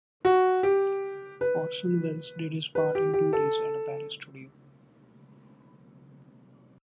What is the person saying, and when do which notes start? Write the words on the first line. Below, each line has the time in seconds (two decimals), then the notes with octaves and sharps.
Orson Welles did his part in two days at a Paris studio.
0.25 F#4
0.63 G4
1.41 B4
2.75 B4
2.95 G4
3.14 G4
3.33 A4